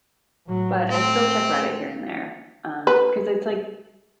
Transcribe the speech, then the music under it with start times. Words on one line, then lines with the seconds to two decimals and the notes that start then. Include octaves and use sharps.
but, I still check Reddit here and there, um, 'cause it's, like,
0.46 A2 F#3
0.90 A3 C4
2.87 B4